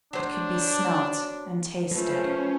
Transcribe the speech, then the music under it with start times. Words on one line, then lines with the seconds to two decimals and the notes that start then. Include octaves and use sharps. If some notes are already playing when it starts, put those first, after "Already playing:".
It could be smelt and tasted.
0.13 F#3 D4 C5
1.91 F#3 A3 C#4 F4 B4 C5